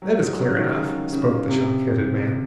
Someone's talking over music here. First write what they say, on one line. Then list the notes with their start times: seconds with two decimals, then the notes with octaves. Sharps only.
"That is clear enough," spoke the shock-headed man.
0.02 F#3
0.20 G#3
0.39 F#3
0.49 C#3
0.58 D#3
0.76 C#3
1.12 C#3
1.49 C3